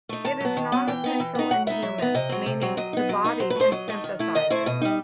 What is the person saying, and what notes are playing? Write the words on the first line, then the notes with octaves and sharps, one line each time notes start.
It is non-essential in humans, meaning the body can synthesize it.
A3 D#4
D#3 A5
F#3 B3
D#3
F#3 B3
E3 G5
B3 D#4
E3
B3 D#4
F#3 F#5
B3 D#4 E5
F#3
B3 D#4
C3 D#5
F#3 C4
C3
F#3 C4
F#3 D#5
B3 D#4
F#3
B3 D#4
F#3 C5
B4
A3 D#4 C5
F#3 D#5
A3 D#4
D#3
A3 E4
D#3 D#5
A3 E4 C5
B2 D#5
G3 D#4